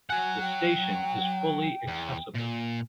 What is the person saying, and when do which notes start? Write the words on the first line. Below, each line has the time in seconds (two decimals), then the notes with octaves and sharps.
The station is fully accessible.
0.10 F#3 F#5 G#5
0.41 G5
1.87 E2
2.34 A#2